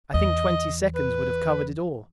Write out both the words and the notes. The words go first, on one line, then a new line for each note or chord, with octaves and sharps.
I think twenty seconds would have covered it all.
E2 D#5
B4